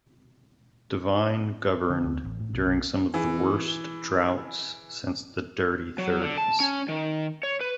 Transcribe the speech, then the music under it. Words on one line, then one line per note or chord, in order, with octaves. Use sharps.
Devine governed during some of the worst droughts since the "Dirty Thirties".
D3
D2
A1
A2
B1
B1
E3 G#4
F#3
D3
A5
C#4
D#3
C#5
B4